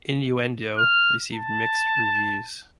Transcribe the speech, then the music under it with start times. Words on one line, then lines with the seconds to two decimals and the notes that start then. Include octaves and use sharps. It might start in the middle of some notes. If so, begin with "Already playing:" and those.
"Innuendo" received mixed reviews.
0.78 F6
1.34 A5